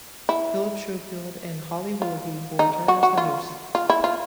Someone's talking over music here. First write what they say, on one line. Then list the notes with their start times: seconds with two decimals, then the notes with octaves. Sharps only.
Phillip Schofield and Holly Willoughby will return as the hosts.
0.29 E4
2.02 F4
2.59 D#4
2.88 F#4
3.03 F#4
3.18 F4
3.75 F4
3.90 E4
4.04 F4